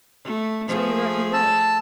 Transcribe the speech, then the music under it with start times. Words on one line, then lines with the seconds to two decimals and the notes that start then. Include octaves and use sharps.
"So you wrote me word."
0.24 A3
0.68 F3 A3 G#4
1.33 A5 E6